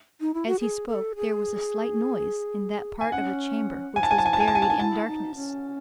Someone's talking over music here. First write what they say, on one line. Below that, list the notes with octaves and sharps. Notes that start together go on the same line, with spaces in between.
As he spoke, there was a slight noise in that part of the chamber which was buried in darkness.
D#4
E4
F#4
G#4
A4
G#4
G#5
C#4 F#5
G#5
A5
G#5
A5
G#5
A5
G#5
A5
G#5
A5
D#4 G#5
E4 A5
D#4
C#4